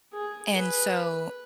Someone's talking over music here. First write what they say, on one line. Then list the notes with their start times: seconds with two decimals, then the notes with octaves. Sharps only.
And, so,
0.13 G#4
0.55 B4